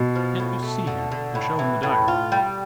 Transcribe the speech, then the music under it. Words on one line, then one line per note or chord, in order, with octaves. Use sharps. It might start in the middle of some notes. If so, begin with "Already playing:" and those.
"Can't you see him and show him the diary?"
Already playing: B2
F3
A2
A3
D3
D3
A2
E3
A2
F4
G3